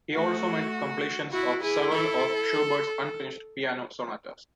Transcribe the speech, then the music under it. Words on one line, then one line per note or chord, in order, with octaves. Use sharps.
He also made completions of several of Schubert's unfinished piano sonatas.
A3 F#4
E4 F#4
E4 G#4
A4